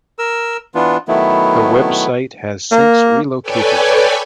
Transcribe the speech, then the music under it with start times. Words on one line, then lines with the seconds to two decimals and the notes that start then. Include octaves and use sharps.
The website has since relocated.
0.19 A#4 E6
0.75 E3 B3 D4 F4
1.08 D#3 F#3 A3 B3 E4
2.72 A#3
3.42 A4 B4 C#5 D5 G5 G#5